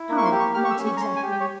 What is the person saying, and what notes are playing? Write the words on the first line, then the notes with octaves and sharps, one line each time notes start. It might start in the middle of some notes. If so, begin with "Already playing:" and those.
"How, not exactly?"
Already playing: E4
A#3
C#6
C6
G4
C#6
G4 F6
C#6
E6
C#4
C#6
A#5
C#4 C6
G#5
G4
G5
C#5